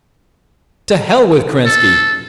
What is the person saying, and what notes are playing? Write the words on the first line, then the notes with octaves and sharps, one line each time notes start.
To hell with Kerensky!
A4